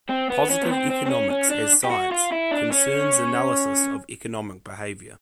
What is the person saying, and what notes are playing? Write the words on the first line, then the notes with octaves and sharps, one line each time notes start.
Positive economics as science, concerns analysis of economic behavior.
C4
B3
C#4
B3
C4
C4
C4
C#4
C#4
D4
G4
F#4
F4
E4
D4
C#4